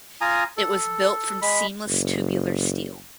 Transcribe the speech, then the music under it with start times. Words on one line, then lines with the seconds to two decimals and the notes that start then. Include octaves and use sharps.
It was built from seamless tubular steel.
0.21 F4 G#5 A#5 D#6
0.57 A4
1.42 G#3 B5
1.88 F#1